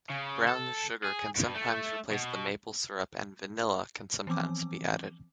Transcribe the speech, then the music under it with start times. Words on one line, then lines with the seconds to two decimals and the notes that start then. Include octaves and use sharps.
Brown sugar can sometimes replace the maple syrup and vanilla can sometimes be added.
0.10 C#3
0.49 A4
1.04 G#4
1.36 G2
1.54 A3
2.11 B2
4.27 E3 F3 B3 C4 D6